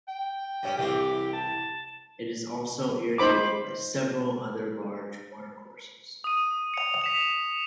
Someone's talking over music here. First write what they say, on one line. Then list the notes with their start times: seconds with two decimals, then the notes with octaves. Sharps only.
It is also irrigated by several other large watercourses.
0.08 G5
0.63 G2 C#4
0.78 C2 E3 C4 G4
1.33 A5
3.18 D#4 C5 B5 D6
6.24 D#6 D#7
6.74 C#7 F7
7.02 B6 E7 F7